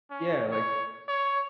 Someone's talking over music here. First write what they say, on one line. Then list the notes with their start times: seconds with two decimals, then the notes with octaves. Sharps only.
Yeah, like
0.11 C#4
0.52 C#5
1.08 C#5